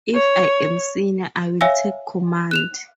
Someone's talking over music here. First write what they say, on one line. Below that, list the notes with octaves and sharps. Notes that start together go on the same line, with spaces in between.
If I am senior, I will take command.
C#5
C#5 E5 F5 G#5 E6 A#6
F#6 E7 F7